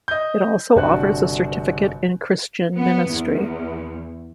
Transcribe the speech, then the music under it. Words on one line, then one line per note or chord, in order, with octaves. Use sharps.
It also offers a Certificate in Christian Ministry.
D#5 G6
G1 C3 D4 F#4 F#6
B3
E2